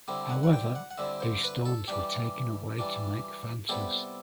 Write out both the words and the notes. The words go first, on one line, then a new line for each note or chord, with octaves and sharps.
However, these stones were taken away to make fences.
D3 G3 C4 E4
F#5
F#5
G5
F#5
F#5
D3 G3 C4 E4 E5
C5
B4
A4
E3 G3 D4 G4
E3 G3 D4
C3 G3 B3 E4 A4